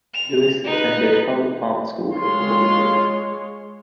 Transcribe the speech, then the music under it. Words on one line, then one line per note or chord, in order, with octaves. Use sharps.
Lewis attended Hull Art School for four years.
F7
D#4 B4
G#3 F4 C#5 C6